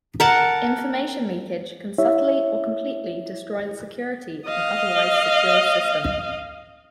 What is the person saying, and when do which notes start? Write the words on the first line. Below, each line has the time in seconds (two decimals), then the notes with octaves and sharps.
Information leakage can subtly or completely destroy the security of an otherwise secure system.
0.20 A#4 F#5 A5
1.98 E4 G4 C#5 E5
4.46 D#5 F5